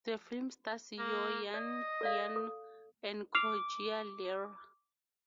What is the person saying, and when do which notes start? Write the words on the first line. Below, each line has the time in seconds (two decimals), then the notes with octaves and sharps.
The film stars Yeo Yann Yann and Koh Jia Ler.
0.98 A#3
1.54 D5 D#5
2.01 A4 D5 F5
2.36 A4
3.35 D6 F6 C7 F7